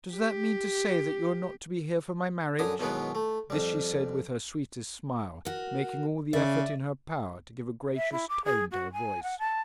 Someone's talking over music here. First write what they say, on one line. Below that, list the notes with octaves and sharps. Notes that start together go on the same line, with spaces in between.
'Does that mean to say that you are not to be here for my marriage?' This she said with her sweetest smile, making all the effort in her power to give a gracious tone to her voice.
G4
F#2 D3 G#5 D#6
D#2 B2 E3 F#3 G#3 B3
A3
F2 G3
F#4 A#4
C#3 D5 E5
E5
E4
D6
G#4
F#4
G#5
F#5
A5